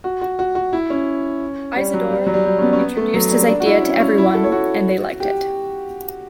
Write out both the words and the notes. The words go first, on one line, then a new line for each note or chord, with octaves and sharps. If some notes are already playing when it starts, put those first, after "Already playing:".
Isidor introduced his idea to everyone, and they liked it.
F#4
F#4
F#4
F#4
E4
C#4
G3
F#3
G3
F#3
G3
G3
C#4
B3
C#4
B3
A3
F#3
G3
D4
F#4
E4
C#4
C#4
E4
F#4
A4
C#5
F#4
G4